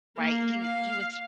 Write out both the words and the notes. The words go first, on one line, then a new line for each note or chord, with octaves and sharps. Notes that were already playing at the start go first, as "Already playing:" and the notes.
right? He he was
A#3
F5